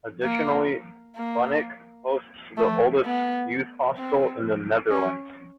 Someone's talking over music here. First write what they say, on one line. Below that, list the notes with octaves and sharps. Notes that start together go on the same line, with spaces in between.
Additionally, Bunnik, hosts the oldest Youth Hostel in the Netherlands.
A#3
A#3
A3
B3
C4
C#4